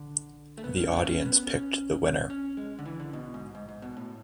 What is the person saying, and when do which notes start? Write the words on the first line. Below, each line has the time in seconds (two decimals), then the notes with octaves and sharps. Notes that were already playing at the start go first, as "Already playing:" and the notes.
The audience picked the winner.
Already playing: D3
0.58 A3
0.64 B3
0.77 C#4
0.91 B3
1.05 C#4
1.26 B3
1.47 C#4
2.30 C#4
2.57 G#3
2.79 D3
2.86 E3
3.00 D3
3.13 B2
3.34 G#2
3.55 G#2
3.69 G#2
3.82 B2
3.97 A2